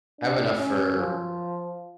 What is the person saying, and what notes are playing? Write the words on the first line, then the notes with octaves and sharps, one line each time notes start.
I have enough for
D4
C#4
F3